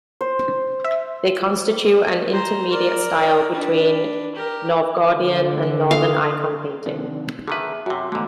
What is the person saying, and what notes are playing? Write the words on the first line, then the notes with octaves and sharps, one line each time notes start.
They constitute an intermediate style between Novgorodian and Northern icon painting.
C5
E5
C5 A#5
A#4 D5
D4 B4
G4 A#4
D3
A4 F5 C6 D#6
C3 D#3 D4
D3 D#3 G#4 B4 E5
F#2 C3 F#4
E2 G#2 D3 A3